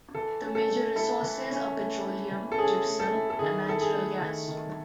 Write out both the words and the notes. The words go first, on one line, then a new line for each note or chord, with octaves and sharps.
The major resources are petroleum, gypsum and natural gas.
E3 A4
C#4
A4
A3
E4 A4
E3
C#4
A3
E4
E3
A4
C#4 G#4
A3
A4
E4
A4
D#3 G#4
E4 A4
G#4
A3
D#3
D#3